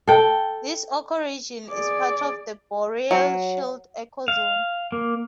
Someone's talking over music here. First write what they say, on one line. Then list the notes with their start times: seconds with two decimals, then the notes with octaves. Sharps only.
This ecoregion is part of the Boreal Shield ecozone.
0.07 A4 G5
1.68 G#4 D5
3.11 F#3
4.28 F5
4.92 A#3